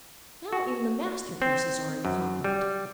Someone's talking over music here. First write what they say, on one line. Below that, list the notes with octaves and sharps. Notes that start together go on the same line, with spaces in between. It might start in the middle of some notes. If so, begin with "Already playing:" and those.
Now even the masterpieces are incontinent.
F#4
C4
F#2
G3